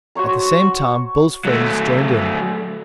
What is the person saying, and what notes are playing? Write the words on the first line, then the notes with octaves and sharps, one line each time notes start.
At the same time Bill's friends joined in.
F#4 C5 C#5 A#5
F#3 A3